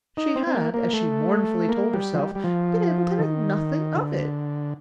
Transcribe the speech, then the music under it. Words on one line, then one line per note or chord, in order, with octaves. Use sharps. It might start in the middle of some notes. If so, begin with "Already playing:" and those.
She had, as she mournfully told herself, been able to make nothing of it.
D#4
C4
C4
A#3
A#3
A3
A#3
G3
F3
G3
G3
F3
D#3
D3